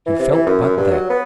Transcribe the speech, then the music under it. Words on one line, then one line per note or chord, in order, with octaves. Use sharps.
He felt but that.
E3
C3
E3
F#2
F#2
G2
F#3
B3